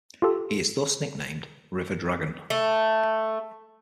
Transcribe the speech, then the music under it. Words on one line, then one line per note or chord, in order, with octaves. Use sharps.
He is thus nicknamed "River Dragon".
F4 G4 A4
A3